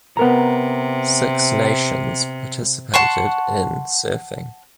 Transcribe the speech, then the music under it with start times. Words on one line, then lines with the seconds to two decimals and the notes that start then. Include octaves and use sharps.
Six nations participated in surfing.
0.17 C3 B3 A#4 A#5
2.94 F#5 A5 C6 C#6